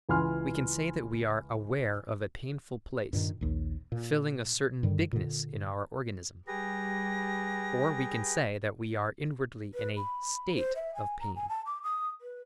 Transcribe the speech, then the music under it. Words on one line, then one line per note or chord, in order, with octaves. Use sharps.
We can say that we are aware of a painful place, filling a certain bigness in our organism, or we can say that we are inwardly in a 'state' of pain.
C#2 E3 G#5 B5 C6 F6
G2 A#2 D#3
A#1 D#2
A#2
G2 D3 D#3 G3
A#2 D3
G3 G4 G#4 B4 A#6
B4
B5
C5
E5
G#5
A#5
G#5
A5
D6
D#6
B4